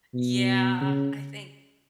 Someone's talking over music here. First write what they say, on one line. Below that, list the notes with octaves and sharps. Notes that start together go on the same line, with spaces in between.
Yeah, I thin
B2
C#3